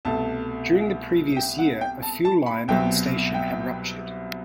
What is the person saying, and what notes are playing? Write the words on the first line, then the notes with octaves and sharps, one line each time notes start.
During the previous year a fuel line on the station had ruptured.
C2 B2 A3 A5
G5
F#5
G5
A5
A5
B5
C2 B2 F#3 C4 G5
G5